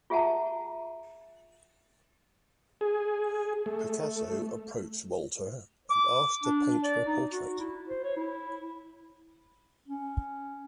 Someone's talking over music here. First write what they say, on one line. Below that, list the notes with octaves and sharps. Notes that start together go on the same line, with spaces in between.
Picasso approached Walter and asked to paint her portrait.
F4 G#4 E5 F#5 A5 A#5
G#4
A3
D6
D4
D5
D#4
F#4
E4
C5
C#5
E4
C#4